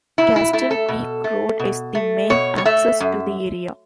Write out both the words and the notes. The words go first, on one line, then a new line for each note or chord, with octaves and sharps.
Castle Peak Road is the main access to the area.
B2 E4
E4
A3 E4
A4
B2
A3
B2
A3
B2 C#5
C#5
A3 E5
F#2